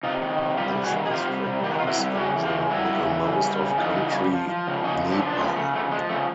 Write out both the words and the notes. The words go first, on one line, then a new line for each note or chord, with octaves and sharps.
This district lies in the middlemost of country Nepal.
C3 D#4 F4
D#3
C3
G3 F4 G4
C3
F#4 G#4
D#3
G#4
C3 F4 G4
G3
C3
D#3 G4
F#4
F4
C3 E4 F#4
G3
C#3 F#4 G#4
E3
F4 G4
C#3
G3 E4 F#4
C#3
E3
C#3
G3
C#3
E3 D#4 F4
C#3
G3
F3
F3
C#3
C#3 C#4 D#4
F3
C4 D4
F3
D4
C#3 B3 C#4
C#3 A3
F3 A3
F3 G#3
C#3 A3